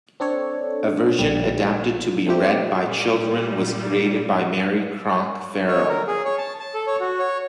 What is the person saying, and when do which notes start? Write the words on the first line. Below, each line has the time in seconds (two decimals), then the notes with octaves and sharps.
A version adapted to be read by children was created by Mary Cronk Farell.
0.20 C4 D4 A4 C#5
1.19 A#1 G3
2.26 F3 G3 A3 C4 E4 G4
2.82 A#2 G3
5.68 C#5
5.89 A#4
6.07 G#4
6.25 C#5
6.38 A5
6.60 A5
6.74 A4
6.87 C#5
7.00 F#4
7.19 C#5